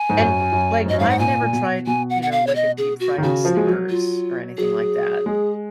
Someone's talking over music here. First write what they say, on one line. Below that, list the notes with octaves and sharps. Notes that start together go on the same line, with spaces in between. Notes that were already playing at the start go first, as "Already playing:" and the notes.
And, l like, I've never tried, you know, like, a deep-fried Snickers or anything like that,
Already playing: G#5
G#2
F#2
F#2
G#2
F#2 D#5
G#2 F5
F#5
A#2 G#5
A#2
B2
B2 G#5
F#5
F#5
F5
C#5
D#5
G#4
F#4
D#3
C#3 F#4
F3
G#3
F#3
F4
F#3 G#4
G#3